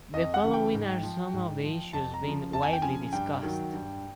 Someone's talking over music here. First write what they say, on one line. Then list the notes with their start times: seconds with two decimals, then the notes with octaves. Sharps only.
The following are some of the issues being widely discussed.
0.13 F2 D#5
0.34 F#5
0.44 C#3 E3
0.54 G5
0.74 G#2
1.03 F3
1.33 G#2
1.64 F3
1.93 F2 A5
2.14 A#5
2.24 C#3 F3
2.53 F2 A5
2.63 G#5
2.73 G5
2.82 C#3 F3 G#5
3.13 G2 G5
3.43 D#3 F#3
3.73 G2